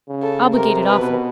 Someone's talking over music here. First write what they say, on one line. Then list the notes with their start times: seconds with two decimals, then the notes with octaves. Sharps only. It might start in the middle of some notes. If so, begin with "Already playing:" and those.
Obligated awful.
0.08 C#3
0.23 A4
0.54 C3 A#4
0.84 B4
0.99 B2